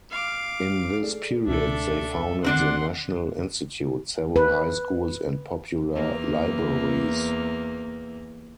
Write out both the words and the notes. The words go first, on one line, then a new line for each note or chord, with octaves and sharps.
In this period, they founded the National Institute, several high schools and popular libraries.
F5 D6
G#4 A4 D5
C#2 B2 D4 A4 E5
D3 D#3 C4 D4 D5 F#5 C6
B4
E2 A#3